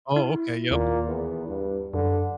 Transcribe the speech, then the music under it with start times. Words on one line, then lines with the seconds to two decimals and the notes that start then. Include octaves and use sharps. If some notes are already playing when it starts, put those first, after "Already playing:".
Oh, okay, yep.
0.16 E4
0.71 D#2 A#2
1.07 E2
1.48 G2
1.94 F#2 D3